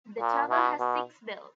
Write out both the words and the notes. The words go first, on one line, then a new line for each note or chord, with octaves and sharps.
The tower has six bells.
A#2
B2
B2